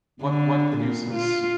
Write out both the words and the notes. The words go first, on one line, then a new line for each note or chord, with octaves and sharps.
what what produces
D3
A#2
F4